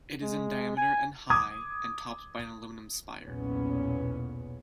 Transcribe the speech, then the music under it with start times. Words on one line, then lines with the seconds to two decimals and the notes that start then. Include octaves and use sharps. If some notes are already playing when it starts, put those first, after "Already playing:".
It is in diameter and high, and topped by an aluminum spire.
0.22 G#3
0.77 G#5
1.30 D6 D#6 G#6
3.24 B1 E2 A#2 B3 C#4